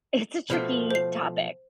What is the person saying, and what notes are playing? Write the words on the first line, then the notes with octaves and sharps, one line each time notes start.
it's a tricky topic,
B2 F3 A3
C5 C7